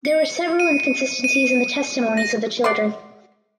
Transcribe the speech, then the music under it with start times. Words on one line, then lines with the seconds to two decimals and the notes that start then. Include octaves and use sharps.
There were several inconsistencies in the testimonies of the children.
0.05 C#7
0.60 D#7
1.24 D#7
2.17 A#6
2.64 D5 F#5 C6